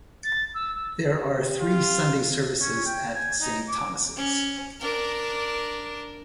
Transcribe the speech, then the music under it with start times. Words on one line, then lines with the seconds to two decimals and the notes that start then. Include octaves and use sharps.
There are three Sunday services at Saint Thomas'.
0.24 A6
0.55 E6
0.75 E6
1.11 G4
1.61 F4
2.60 C#4
2.86 G5
3.14 G#5
3.41 D#4
3.68 D6
4.17 C#4
4.80 D4 A#4